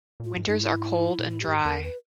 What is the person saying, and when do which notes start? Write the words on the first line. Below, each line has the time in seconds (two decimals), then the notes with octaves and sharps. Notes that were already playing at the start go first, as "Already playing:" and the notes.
Winters are cold and dry.
0.20 A#2
0.24 A2 F4
0.37 G#2
0.48 G2 D#4
0.59 G#2 E4
1.19 A#2
1.30 A2 E4
1.42 G4
1.48 G#2
1.65 E2 A#4
1.84 B4